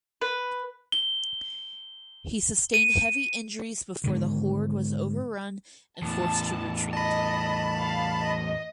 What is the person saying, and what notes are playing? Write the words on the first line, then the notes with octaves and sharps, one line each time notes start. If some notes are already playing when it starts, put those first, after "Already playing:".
He sustained heavy injuries before the Horde was overrun and forced to retreat.
B4
G7
D#7
G#2 D3 D#3
E2 A2 A5
D#5 A5 B5
F5
D#5